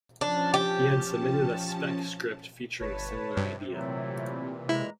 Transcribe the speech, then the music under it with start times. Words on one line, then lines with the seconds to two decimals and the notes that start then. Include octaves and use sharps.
He had submitted a spec script featuring a similar idea.
0.21 F3 C#4 D4 A5
0.54 G4
2.81 G1 B4 C#5 A5
3.37 G2 C3
3.74 A#2 E3 F#3 A3 E4
4.69 G#3 E4 A#5